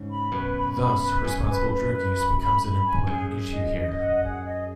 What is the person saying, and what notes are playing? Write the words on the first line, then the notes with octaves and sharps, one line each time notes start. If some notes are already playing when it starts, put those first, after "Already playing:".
Thus, responsible drug use becomes an important issue here.
Already playing: G#2 C#3
B5
F#2 B2 B4
B5
B5
B4
F#2 G#5
B4
B4
B4
B5
B5
B5
G#5
F#2 G#4
G#4
D#5
D#5
F#5
G#4
D#5